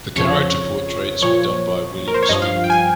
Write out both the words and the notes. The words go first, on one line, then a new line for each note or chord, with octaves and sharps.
The character portraits were done by William Sweetman.
F2 C#3 F3 C#5
A#2 F3 C#5
A#4
C5
C#5
G2 F3 D#5
F5
G5
G#5